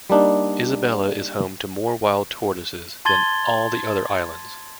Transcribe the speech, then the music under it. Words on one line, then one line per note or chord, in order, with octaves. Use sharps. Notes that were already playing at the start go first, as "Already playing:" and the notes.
Isabela is home to more wild tortoises than all the other islands.
G3 A#3 D4 D#4
A5 C6 G#6 A6 G7